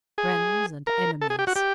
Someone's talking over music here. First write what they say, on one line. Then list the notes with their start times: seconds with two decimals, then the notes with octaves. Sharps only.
"Friends and enemies!"
0.18 G#4
0.87 A#4
1.21 A4
1.30 G#4
1.39 G4
1.47 F#4
1.56 G4